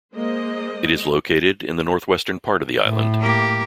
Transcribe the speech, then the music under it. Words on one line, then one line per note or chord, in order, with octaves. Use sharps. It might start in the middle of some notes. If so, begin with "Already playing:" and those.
It is located in the northwestern part of the island.
G#3 A#3 C5 D#5
A2
A#3 G4